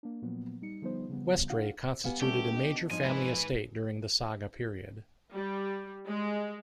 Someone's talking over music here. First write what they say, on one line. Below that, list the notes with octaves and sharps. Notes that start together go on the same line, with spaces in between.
Westray constituted a major family estate during the saga period.
A#3 D4
A#2 F3 F#3 A#3 B3
G3 D#4 C#7
D3 F3 G3 B3 D#4 C5
C#3 F3 G3 B3
D4 F4 F5 F#5
B3 G4 F5 G#5
G3 A3 C#4 G4
D4 F#4 D#5
F3 D#4 G#5
G#2 B4 G#5
G3
G#3